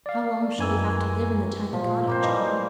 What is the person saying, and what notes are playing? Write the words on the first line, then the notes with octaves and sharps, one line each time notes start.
"How long shall we have to live in the tiny cottage, Clym?"
D5 F5
F#2 D#3 E3 G#5 E6
A#2 F3
A#3 C4 C5
E3 G3 D#5